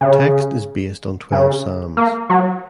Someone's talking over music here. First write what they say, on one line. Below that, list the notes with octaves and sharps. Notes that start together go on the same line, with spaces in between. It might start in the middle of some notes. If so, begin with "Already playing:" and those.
Text is based on twelve psalms.
C#3
C#3
A#3
F#3